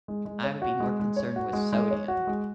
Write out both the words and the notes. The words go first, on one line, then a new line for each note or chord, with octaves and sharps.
I would be more concerned with sodium.
G#3
G#3
C#5
F#4
G#3
G#3
C#5
F#4
G#3
G#3
C#5
F#4
G#3